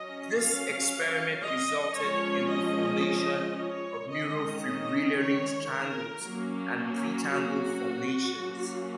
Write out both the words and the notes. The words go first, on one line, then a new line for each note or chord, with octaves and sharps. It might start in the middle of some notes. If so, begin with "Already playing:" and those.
This experiment resulted in the formation of neurofibrillary tangles and pretangle formations.
Already playing: F#3 C#4 D#5
F5
D#5
F3 G#3 C#4 C#5
D#5
C#5
D#3 G#3 C#4 D#5
D#5
C#5
A#4
F#3 A#3 C#4
F#4
F#3 A#3 C#4